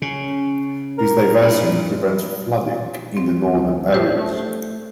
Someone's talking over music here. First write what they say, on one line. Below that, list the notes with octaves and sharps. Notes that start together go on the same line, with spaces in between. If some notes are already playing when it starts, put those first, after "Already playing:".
This diversion prevents flooding in the northern areas.
C#3 C#4
A#4
G2 E4
G#3
C4
D2
A2 G4 C5
A3